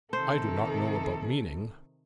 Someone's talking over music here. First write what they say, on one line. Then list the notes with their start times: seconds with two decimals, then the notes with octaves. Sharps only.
'I do not know about meaning.
0.13 C3 D#3 A4 C5